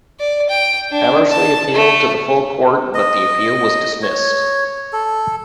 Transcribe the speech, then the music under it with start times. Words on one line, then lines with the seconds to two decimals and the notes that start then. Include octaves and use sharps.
Hamersley appealed to the full court, but the appeal was dismissed.
0.20 D5
0.49 G5
0.91 D4
1.30 A5
1.74 A3
2.94 D#5
4.02 C#5
4.93 A4